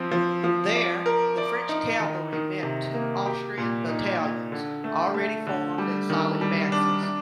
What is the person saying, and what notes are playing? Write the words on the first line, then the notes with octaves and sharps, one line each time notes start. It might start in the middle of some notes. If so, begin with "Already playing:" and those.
There, the French cavalry met two Austrian battalions, already formed in solid masses.
Already playing: F3 C4
F3
F3
D5
A#4
D5
D#4
D#3
D#3
C3
A#3
G4
A#2
D#4
A#2
D3
A3
A3
D3
G3
D#3
G3
D4
D4